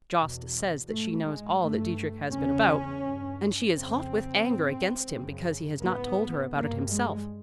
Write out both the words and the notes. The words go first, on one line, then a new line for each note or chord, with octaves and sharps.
Jost says that she knows all that Dietrich has been about, and she is hot with anger against him because he has not told her about it himself.
E2 B2
G#2 A3
G#3
G2 A3
E2 C#3 C#4
G2
F2 C#3 C4
G#2
F#2 C#3
G#2 B3
G2 A#3
G#3